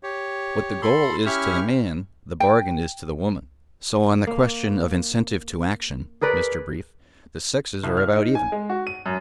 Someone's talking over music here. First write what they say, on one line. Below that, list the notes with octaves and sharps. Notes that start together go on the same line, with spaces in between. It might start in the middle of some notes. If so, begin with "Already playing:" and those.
What the goal is to the man the bargain is to the woman, so on the question of incentive to action, Mr. Brief, the sexes are about even.
G4 C#5
A4 B5 C6
C#4 E4 G4 E5 C#6 F6
G5
A#3 F5
G#4 A#4 B4 D5
C2
F6
D#4
G#5
G#3
F#4
D#7
F#2